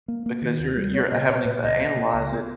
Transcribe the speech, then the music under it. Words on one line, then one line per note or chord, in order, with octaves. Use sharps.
because you're you're having it to analyze it
A#3
A#3
D#3
D#2
G3
B3 C#5
A#2 D#5
A#2 C#5
A#2 B4
C#2 D#5
B2
A#3
C#2
B3